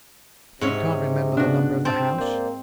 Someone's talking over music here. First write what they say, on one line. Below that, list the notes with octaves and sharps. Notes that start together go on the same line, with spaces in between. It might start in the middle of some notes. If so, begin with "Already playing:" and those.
"And you can't remember the number of the house?"
G#2 C3 C4 C#4 C#5
C#3 B3 D4 F#4
C4 G5 A5
A#3 C5 D5